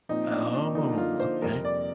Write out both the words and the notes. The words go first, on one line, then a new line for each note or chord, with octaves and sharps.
Oh, okay.
A#2 F3 C4 D#4
D4
D4
D3 F3 A#3 D4 D#4
F4
C5
F2 C3 G3 A#4
D5